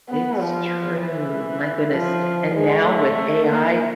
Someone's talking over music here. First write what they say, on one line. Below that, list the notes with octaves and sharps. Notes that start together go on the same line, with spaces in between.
it's true, my goodness, and now with AI
B3
F3
E3
F3
G#3
A3
A#3